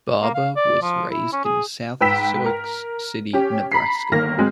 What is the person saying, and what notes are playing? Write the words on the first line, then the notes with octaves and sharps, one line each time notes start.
Barber was raised in South Sioux City, Nebraska.
A#3
F5
D5
F3
E4
C#4
G#4
G#2 B4 G5 E6 B6 E7
A#4
C#4 G4
A#5 B5 B6 C7
G1 D#3 A#3 F6 A#6
F#3 G#3 C4